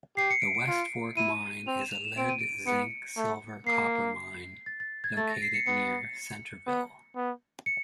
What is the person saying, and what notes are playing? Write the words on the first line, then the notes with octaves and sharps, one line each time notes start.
The West Fork Mine is a lead-zinc-silver-copper mine located near Centerville.
G4 C7
C#7
D7
D7
F4
E4 D#7
C4 F7
E7
F7
E7
C4 D7
D#7
D7
B3 C#7
A3
A#3 C7
A6
A6
G#6
A3 A6
A#6
C7
C#7
B3 C#7
B3
B3
C#7